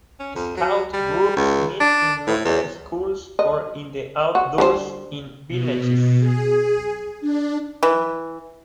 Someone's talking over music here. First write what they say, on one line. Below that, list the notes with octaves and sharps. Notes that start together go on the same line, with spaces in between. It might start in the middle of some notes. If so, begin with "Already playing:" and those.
Scout groups meet in local schools or in the outdoors in villages.
C#4
F2
F#3
G3
C#2
D4
A2
E2
D#5
F#4
D3 G3 C5
B2
G#4
D4
E3